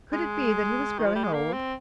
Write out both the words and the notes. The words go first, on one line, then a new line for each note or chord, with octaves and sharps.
Could it be that he was growing old?
G#3
D#3
F3
G3
G#3
A#3
C4